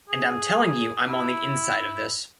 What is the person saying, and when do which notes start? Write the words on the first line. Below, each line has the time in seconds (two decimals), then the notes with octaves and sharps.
And I'm telling you I'm on the inside of this.
0.10 G#4
1.08 E4